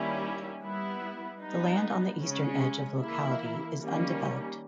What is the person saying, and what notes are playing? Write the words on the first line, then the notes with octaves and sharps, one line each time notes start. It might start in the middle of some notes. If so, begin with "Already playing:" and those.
The land on the eastern edge of the locality is undeveloped.
Already playing: D#3 G3 A#3 C#4 E4
G3 B3 E4
G3 B3 D#4
C#3 G#3 C#4
E3 A#3 E4
D#3 G3 A#3 C#4